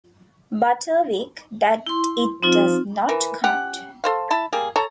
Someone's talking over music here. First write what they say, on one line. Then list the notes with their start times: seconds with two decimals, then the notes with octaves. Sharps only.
Butterwick that it does not count.
1.87 E4 C6
2.43 F3 C4 D#4 F4
3.09 E3 A#4
3.44 C#4 G4 F#5
4.04 A4 C5 F5
4.30 E4 A5 B5
4.53 G3 A#3 G#4
4.76 A4 C#5 A5 A#5